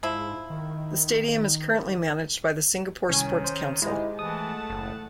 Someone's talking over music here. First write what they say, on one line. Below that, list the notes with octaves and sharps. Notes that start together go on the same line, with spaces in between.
The stadium is currently managed by the Singapore Sports Council.
G#2 F3 E4
D#3
C2 D#3 C#4 G#5
C5
G#2 G#3 E4 G4 D#5
E3 A3 F#5 A5 D#6
F#1 A2